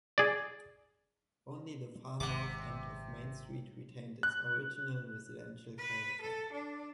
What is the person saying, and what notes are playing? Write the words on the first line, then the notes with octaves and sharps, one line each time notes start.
Only the far north end of Main Street retained its original residential character.
G#4 D5
G#1 C3 F#5 D6
F#6
B4
A4
D4